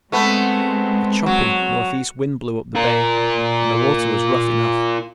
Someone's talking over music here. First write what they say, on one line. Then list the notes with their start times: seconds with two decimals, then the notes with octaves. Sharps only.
A choppy northeast wind blew up the bay, and the water was rough enough.
0.12 G#3 A3 B3 C4
1.26 F#3
2.76 F4 A#4